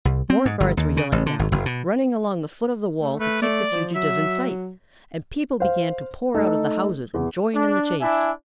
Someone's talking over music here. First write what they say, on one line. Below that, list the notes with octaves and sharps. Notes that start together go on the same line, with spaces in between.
More guards were yelling, now, running along the foot of the wall to keep the fugitive in sight, and people began to pour out of the houses and join in the chase.
C2
C4
G#2
G1
D#2
C#3
A1
D3
G#1
F#1
B2
A3
A3 B4
A3 D5
F3
F#3 E5
C5 F5
A3 D#4 A4
E2
D4
D4 E4 E5 G#5